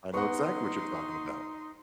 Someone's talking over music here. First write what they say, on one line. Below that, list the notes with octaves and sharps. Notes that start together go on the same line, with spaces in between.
I know exactly what you're talking about.
B3 D#4 B4 F#5 C6 C#6